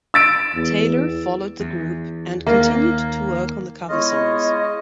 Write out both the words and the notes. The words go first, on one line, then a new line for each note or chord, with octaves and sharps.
Taylor followed the group, and continued to work on the cover songs.
E6 A6 D7
E2
E2
D#2 A#3
G#3 B3 E4 F4 C#5 D#5